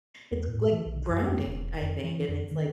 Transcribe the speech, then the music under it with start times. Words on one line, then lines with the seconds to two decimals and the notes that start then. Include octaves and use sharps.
It's, like, grounding, I think, and it's like,
0.32 E2
0.48 A2
0.72 E3
0.86 B1
1.10 F#2
1.28 F2
1.46 E1
1.82 F2
2.04 E3
2.29 F2
2.51 D#3